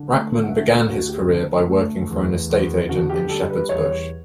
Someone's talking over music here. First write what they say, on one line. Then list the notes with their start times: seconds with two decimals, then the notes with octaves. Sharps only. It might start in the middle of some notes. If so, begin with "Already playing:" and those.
Rachman began his career by working for an estate agent in Shepherd's Bush.
Already playing: D3
0.09 A3
0.43 F#5
0.48 D2 E5
0.69 A4
0.88 D2 F#4
1.09 G4
1.29 D3
1.68 A3
2.09 E2
2.50 E2
2.89 D3 F#4
3.09 G4
3.29 G3 A4
3.50 B4
3.69 E2 C#5